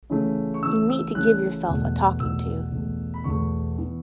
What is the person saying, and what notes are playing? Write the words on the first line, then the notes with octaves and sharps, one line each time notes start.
You need to give yourself a talking to.
C#3 E3 A3
C#6
C#3 E3 A3 E6
E6
C#3 E3 A3 F#6
E2 B2 A3
E2 B2 A3 E6
E2 B2 A3
B5
E2 B2 A3 C#6
E3 B3